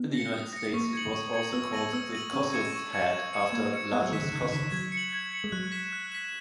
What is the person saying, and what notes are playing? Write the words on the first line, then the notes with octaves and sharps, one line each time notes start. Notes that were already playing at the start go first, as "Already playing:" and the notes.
In the United States it was also called the Kossuth hat, after Lajos Kossuth.
Already playing: B3
A#6 C#7
D#6
A#6 C#7
A#3 C#6
G#6 C#7 F#7
C#6
G#6 C#7 F#7
B3 E6
A#6 D#7 F#7
B3 E6
A#6 D#7 F#7
C#4 C#6
G#6 C#7 E7
C#6
G#6 C#7 E7
G#6
C#7 E7
A#3 G#6
C#7 E7
B3 F#6
F#3
D#3 B6 E7
C#3
D#3 F#6
C#3
D#3 B6 E7
D#3
F#3 G#6
C#7
F#7
G#6
C#7 F#7
G#3
F#3 F#6
B6 E7
F#6
B6 E7